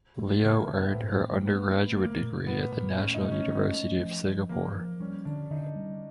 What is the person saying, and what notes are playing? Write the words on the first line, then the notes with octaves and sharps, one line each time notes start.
Leo earned her undergraduate degree at the National University of Singapore.
A3
C#3 A#3
A3
C#3
B3
A2 C4
A3
B3 C4
A3
A3 A#3
A#2
A3 B3
A#2
A3 C#4
D#4
A3
C#4
F#3
A3
F3
F3
F3 A#3
F3
G3 C#4
D3 D4
D3 D#4
G3